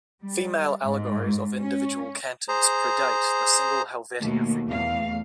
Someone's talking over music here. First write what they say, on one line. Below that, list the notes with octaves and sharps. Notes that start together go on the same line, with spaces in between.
Female allegories of individual cantons predate the single "Helvetia" figure.
G3
G#2
C#4
G#4 C5 A#5
D#2 B2 A3 A#3
E2 A3 F5